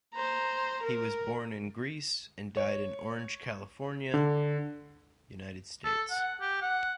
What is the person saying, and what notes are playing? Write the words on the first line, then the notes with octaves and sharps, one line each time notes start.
He was born in Greece and died in Orange, California, United States.
C5 A#5
A#4
C#5
D3
A4
F#5
G4
F#5